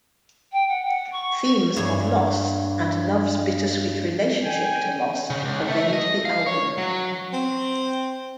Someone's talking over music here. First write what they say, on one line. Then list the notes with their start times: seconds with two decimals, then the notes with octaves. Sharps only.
Themes of loss and love's bittersweet relationship to loss pervade the album.
0.52 G5
0.68 F#5
0.85 F#5
1.11 C#6
1.76 G2 C#5
4.43 G5 G#5
5.30 C#3
5.45 C#2
5.68 A3
5.93 D#5
6.25 F5
6.46 C#5
6.78 F#3
7.33 C4